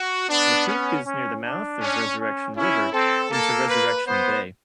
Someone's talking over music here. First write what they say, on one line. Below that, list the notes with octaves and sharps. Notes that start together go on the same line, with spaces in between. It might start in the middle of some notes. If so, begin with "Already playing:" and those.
The peak is near the mouth of Resurrection River into Resurrection Bay.
Already playing: F#4
B3 D4
C#4
C#4
D4
C#4
C#4
C#4 E4
C4 A4
A#3 A4
B4
B3 C5